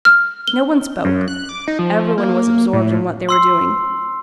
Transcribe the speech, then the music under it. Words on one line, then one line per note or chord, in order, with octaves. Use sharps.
No one spoke. Every one was absorbed in what they were doing.
F6
G7
F#2
F#6
D6
D#4
F3
A#3
A2
C6 E6 C7